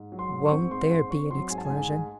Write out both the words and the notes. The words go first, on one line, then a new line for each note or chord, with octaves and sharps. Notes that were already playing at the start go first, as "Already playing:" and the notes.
Won't there be an explosion!
Already playing: G#2
F#3
C6
G#2
C#6
C4
G#2 C6
C4 C6
C4 C#6
F#3 C6
G#2 G#5
A5
G#5
G#2
G#5
G#2